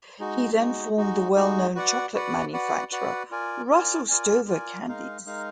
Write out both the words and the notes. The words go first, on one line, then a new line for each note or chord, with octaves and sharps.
He then formed the well-known chocolate manufacturer Russell Stover Candies.
G#3 D#4 F#4
G#3 D#4 F#4
G#3 D#4 F#4
G#3 D#4 F#4
F#4 B4 D5 F#5
F#4 B4 D5 F#5
F#4 B4 D5 F#5
F#4 B4 D5 F#5
F4 A#4 D5 G#5
F4 A#4 D5 G#5
F4 A#4 D5 G#5
F4 A#4 D5 G#5
G#3 D#4 A#4 F5
G#3 D#4 A#4 F5